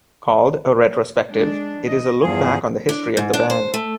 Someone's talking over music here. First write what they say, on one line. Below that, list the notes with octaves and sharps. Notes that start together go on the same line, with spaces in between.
Called "A Retrospective", it is a look back on the history of the band.
G#3 D4
E3 D#5
E2 G2 F3 G#4
D4
G#2
D4
C5
A3